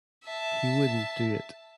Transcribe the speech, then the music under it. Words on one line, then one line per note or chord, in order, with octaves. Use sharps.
He wouldn't do it.
E5 A5